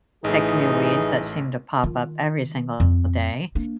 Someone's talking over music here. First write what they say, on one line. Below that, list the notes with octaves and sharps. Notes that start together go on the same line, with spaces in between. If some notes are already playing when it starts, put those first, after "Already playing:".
pick new weeds that seem to pop up every single day,
A1 E3 A3 D#4 G#4
D#3 F4
F2
A#3 D4